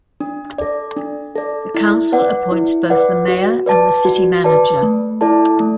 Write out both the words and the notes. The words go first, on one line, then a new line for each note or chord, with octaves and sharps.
The council appoints both the mayor and the city manager.
D4
A4 D5
D4
A4 D5
E4
B4 D5 F#5
E4
B4 D5 F#5
F#4
B4 D5 A5
F#4
B4 D5 A5
A3
E4 A4 D5 A5
A3